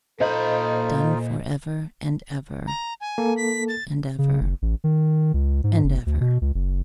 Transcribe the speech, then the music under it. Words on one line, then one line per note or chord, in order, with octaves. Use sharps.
"Done for ever and ever... and ever... and ever."
A#2 D#4 F4 A4 C5 D#5 B5 G6
A#5
G#5
A#3 A4
B6
A6
C#3
F#1
A1
D#3
C#2
G#2
F#1
D2
B2
C#2
F#1